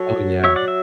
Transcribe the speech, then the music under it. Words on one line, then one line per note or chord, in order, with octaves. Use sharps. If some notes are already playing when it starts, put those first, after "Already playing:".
oh, yeah.
Already playing: F#3 A4 C#5
C#5 E5
D5 F#5
E5